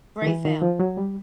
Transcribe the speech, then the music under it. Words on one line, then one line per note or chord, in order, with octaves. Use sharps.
Great film.
D#3
E3
D#3
F3
F#3
G3